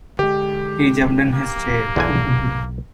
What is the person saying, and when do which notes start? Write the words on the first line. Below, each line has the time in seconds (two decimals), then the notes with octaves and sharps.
He jumped in his chair.
0.19 D3 G#3 G4
1.33 A#3
1.96 B1 E2 D3 G#5